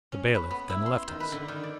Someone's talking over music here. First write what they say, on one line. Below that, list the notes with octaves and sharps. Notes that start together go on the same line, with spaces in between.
The bailiff then left us.
C#4
B4
B3
E4
C6
D#3
B4
D3
D#3
D5